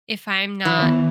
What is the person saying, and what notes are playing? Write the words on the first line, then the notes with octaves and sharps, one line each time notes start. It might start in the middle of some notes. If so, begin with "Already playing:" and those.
if I'm not
E3
D#3 B3